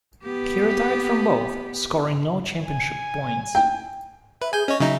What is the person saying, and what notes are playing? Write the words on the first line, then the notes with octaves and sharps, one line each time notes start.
He retired from both, scoring no championship points.
B3 G4
G#5
G5
B4 E5
G#4 G#5 G6
C#4 C#5 D#5
C#3 F#3 D#4 E5